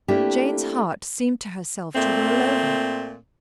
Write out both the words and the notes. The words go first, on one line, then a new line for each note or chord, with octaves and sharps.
Jane's heart seemed to herself to roll over.
A3 A#3 C4 D4 E4 G4
A#2 A3 C4